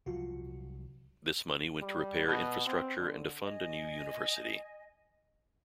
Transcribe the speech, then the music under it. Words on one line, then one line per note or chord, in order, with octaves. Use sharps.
This money went to repair infrastructure and to fund a new university.
C2 F3 F#3 F4 F#4
G3
B2
C4
D3
D#5 G#5